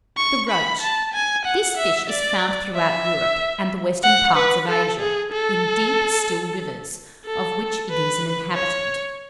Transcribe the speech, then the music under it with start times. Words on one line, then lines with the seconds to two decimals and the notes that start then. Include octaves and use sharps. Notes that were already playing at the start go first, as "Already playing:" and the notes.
THE ROACH.--This fish is found throughout Europe, and the western parts of Asia, in deep still rivers, of which it is an inhabitant.
0.17 C#6
0.49 B5
0.81 A5
1.14 G#5
1.45 F#5
1.77 E5
2.10 D5
2.74 E5
4.03 F#5
4.36 B4
4.68 A4
5.00 G#4
5.32 A4
7.26 A4
7.90 B4
8.54 C#5